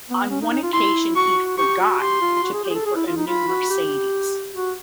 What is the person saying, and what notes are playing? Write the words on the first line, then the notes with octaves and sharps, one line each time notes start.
On one occasion he 'forgot' to pay for a new Mercedes.
B3
C#4
D#4
D#4
F4
E4 C6
F#4 C#6
G4 C#6
F#4
G4 C6
F4
F#4
G#4
G4
G#4
A4
G#4
E4
F4
D#4
F4 B5
F#4
G4
F#4